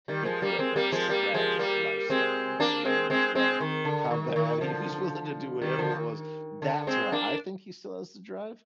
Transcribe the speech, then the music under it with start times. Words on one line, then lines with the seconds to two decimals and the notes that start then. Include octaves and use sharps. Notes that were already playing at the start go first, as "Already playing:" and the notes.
he grew up a tragic lifestyle and he remembers that of how bad he was willing to do whatever it was. That's why I think he still has the drive
0.08 D#3 G3
0.25 F3 G#3
0.42 G3 A#3
0.59 G#3 C4
0.76 G3 A#3
0.92 F3 G#3
1.09 G3 A#3
1.34 F3 G#3
1.59 G3 A#3
2.10 G#3 C4
2.60 A#3 D4
2.85 G#3 C4
3.10 G#3 C4
3.35 G#3 C4
3.60 D#3
3.85 D3
4.11 D#3
4.36 D#3
4.61 D3 F3
5.61 D#3 G3
5.78 D3 F3
5.95 D#3
6.62 D3
6.87 G#3 C4
7.12 A#3 D4